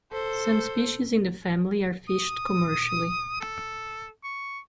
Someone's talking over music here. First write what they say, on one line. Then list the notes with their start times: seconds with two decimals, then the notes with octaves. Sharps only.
Some species in the family are fished commercially.
0.12 A4 C5
2.08 D#6
3.40 A4
4.24 C#6